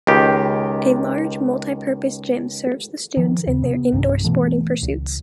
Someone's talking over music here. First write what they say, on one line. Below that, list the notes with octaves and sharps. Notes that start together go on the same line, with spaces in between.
A large multi-purpose gym serves the students in their indoor sporting pursuits.
C#2 D#3 G4
D#3 F3
D#2 C#3
C3 B3
B1 G2 C3 D#3
B2 E3 A3
C#2